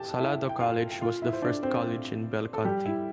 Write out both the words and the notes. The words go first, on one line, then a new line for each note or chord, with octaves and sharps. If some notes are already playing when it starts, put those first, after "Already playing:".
Salado College was the first college in Bell County.
Already playing: G4 G5 A5
E4 E5
G5
F4 F5
G5
F4 F5
E4 E5
C5
D4 D5
C4 C5
A4
G3 G4
E4